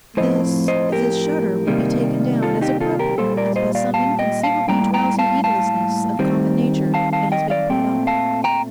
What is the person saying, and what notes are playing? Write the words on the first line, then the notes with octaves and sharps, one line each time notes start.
This--this shutter will be taken down as abruptly as by some inconceivably drowsy heedlessness of common Nature it has been put up.
A2 F3 C4 C5 D#5
C5 D#5
G4 A#4
C3 D#3 G3 A#3
F4 A4
D#4 G4
F4 A4
G4 A#4
A#2 G3 A#3 A4 C5
A#4 D5
C5 D#5
D5 F5
F5 A5
D#5 G5
F5 A5
A2 G3 A#3 G5 A#5
G5 A#5
F5 A5
F5 A5
D#3 G3 C4
F5 A5
F5 A5
D#5 G5
D5 F5
A#2 A3 C4 G5
F5 A5
G5 A#5